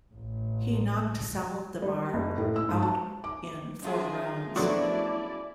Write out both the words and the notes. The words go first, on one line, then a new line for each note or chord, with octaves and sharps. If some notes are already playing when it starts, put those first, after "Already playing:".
He knocked Saldivar out in four rounds.
A1
G3
F#1
A2
E6
G#2
A5
D6
F#2 F4 G#4
F3 F#3 A3 B3 D4 E4 F#4 D5